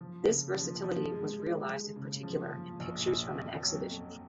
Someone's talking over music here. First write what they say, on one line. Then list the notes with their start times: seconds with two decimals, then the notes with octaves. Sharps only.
This versatility was realized in particular in “Pictures from an Exhibition”.
0.01 F3
0.28 C#3
0.56 F3
0.84 F3
1.12 G#3
1.40 G#3
1.68 G#3
1.96 C#3
2.23 F3
2.51 F3
2.80 A#1
3.07 A#1
3.35 F2
3.63 F#3
3.91 F2